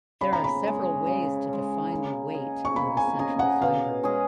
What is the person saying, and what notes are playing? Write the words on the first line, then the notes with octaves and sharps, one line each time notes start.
There are several ways to define the weight on the central fiber.
C#3 B5
A#5
B5
G#3 C#4
C#3
G#3 C#4
A#3
C#4 G#4 D#5
C#6
A#3 B5
G#5
C#4 G#4 D#5 G#5
F#5
B2 F5
G#3 C#4 G#4